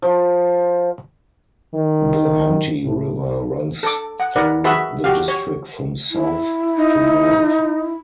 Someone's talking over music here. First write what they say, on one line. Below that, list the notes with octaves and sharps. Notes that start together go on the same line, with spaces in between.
The Hunte River runs through the district from south to north.
F3
D#3
A2
A4 D6
F#5
A#4 B4 D5 F#5
F#4 G#4 B4 E5 B5
F#4 G4 F5
C#5
E4
D#4